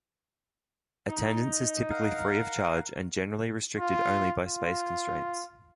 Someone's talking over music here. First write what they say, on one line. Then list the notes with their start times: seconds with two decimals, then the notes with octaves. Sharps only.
Attendance is typically free of charge and generally restricted only by space constraints.
1.08 D#4
1.90 A#4 F5 F#5
3.80 F4
4.44 F4